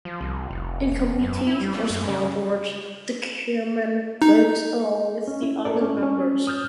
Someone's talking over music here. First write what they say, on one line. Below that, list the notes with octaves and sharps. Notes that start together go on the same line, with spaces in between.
In committees or small boards, the chairman votes along with the other members.
F3
C2
F1
E1
F#2
E4
G3
A3
F#2
C#3
D#4
C#4
E4
A4 A#4 D5
C#4
C#4
D#6 F6 G6 A6